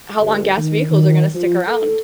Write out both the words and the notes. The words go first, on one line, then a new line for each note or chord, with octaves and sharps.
How long gas vehicles are gonna stick around,
G1
D#3
D#3
F3
A4